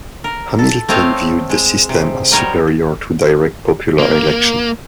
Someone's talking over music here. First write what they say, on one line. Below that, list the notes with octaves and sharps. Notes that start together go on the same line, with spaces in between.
Hamilton viewed the system as superior to direct popular election.
A#4
A4
A3 C4 C5 C#5 D#5 F5
G#3
C3
F#3 G3 D#4 A#4 C5 C#5
A#3